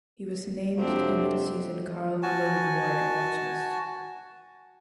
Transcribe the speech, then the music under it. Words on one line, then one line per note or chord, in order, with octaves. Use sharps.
He was named to the midseason Karl Malone Award watchlist.
F2 C3 F3 F#3 C4 D4
F#4 G#5 A5